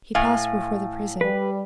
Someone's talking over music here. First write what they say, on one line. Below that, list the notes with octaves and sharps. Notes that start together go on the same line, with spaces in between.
He passed before the prison.
A2 F5 G#5
G3 B4